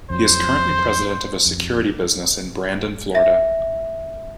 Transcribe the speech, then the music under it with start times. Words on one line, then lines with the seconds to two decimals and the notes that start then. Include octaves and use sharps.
He is currently President of a security business in Brandon, Florida.
0.10 F2 F#3 C5
1.46 F2
3.15 E5 A#6